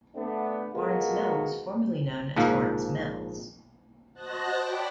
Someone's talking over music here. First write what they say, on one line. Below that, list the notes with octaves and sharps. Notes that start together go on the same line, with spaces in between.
Barnes Mill was formerly known as Barnes Mills.
A3 B3 D4
G#3 B3 F4 F#4 A4 A#4
A#1 G#2 F3 A#3
F#4 C5 D#5 A5 F#6 A#6
C#5 D5 G5 B5 D6